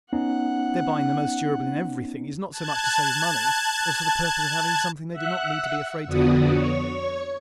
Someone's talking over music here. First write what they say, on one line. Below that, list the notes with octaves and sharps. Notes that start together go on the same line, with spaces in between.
Their buying the most durable in everything is not so much to save money as for the purpose of having something they do not need to be afraid to handle.
B3 C#4 D#4 F#5
A5 F#6 G#6
E5 F#5 E6 F#6
F2 D3 B3 F#4 D5 D#6
C#5 C#6